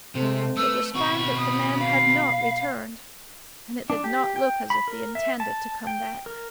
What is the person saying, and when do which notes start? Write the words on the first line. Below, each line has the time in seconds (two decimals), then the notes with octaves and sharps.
It was found that the men had not returned, and it did not look as if they intended to come back.
0.15 C3 G#3 A3 C4
0.57 A3 B4 E6
0.95 B2 C4 F#4 B5 C#6
1.37 D#6
1.79 F5
3.90 D4
4.04 G4
4.36 G5
4.70 B5
4.88 A#4
5.15 E5
5.40 A5
5.87 G5
6.26 A#4